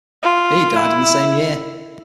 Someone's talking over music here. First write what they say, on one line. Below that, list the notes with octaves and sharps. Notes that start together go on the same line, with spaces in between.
He died in the same year.
F4
E4